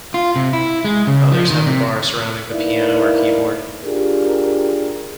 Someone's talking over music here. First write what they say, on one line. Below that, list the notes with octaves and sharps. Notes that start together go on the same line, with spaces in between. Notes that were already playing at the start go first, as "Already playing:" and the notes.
Others have a bar surrounding the piano or keyboard.
F4
C3
E4
G#3
C#3
F3
D#3
C3
A#3 D#4 E4 B4 D5
D4 F4 G4 G#4 A#4